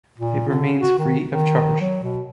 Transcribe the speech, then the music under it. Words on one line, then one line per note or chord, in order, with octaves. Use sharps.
It remains free of charge.
A#2
D3
F#4
D#3
D#3
F#3
B2